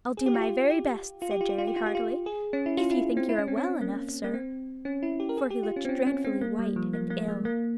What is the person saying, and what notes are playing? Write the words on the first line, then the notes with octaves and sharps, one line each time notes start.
"I'll do my very best," said Jerry heartily, "if you think you are well enough, sir," for he looked dreadfully white and ill.
G#4
G4
F4
G4
G4
F4
G4
F4
G4
F4
G4
F4
G4
F4
G#4
C#4
E4
F4
E4
C4
E4
C#4
C4
C#4
A#3
A#3
C4
C#4
E4
G4
A#4
G#4
G4
F4
C#4
C4
C#4
C#4
C4
A#3
G3
F3
A#3
A#3
G#3
A#3